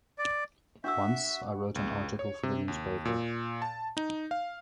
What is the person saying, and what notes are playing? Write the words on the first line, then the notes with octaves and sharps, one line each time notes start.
Once, I wrote an article for the newspaper.
D5
D4 F#4 E5 F#5 E6
C#2
C#5
C3
D#2
A#2
A5
D#4
F5